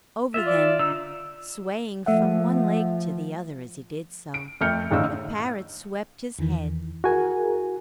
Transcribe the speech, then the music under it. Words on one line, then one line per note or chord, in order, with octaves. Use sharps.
Over them, swaying from one leg to the other as he did so, the parrot swept his head.
F4 E5
D5
D3 D#4 E6
F3 A3 E5 F#5
D7
F2 A3 E5 F6 G6 C#7
E2 A2 D3 D#4 F5 E6
E2 D#3 E3
E4 F#4 G#4 A#4 G#5